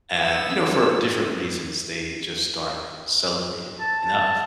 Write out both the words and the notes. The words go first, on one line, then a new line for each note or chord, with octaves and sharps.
and, you know, for different reasons, they just aren't celebrated enough.
B3 E6
A5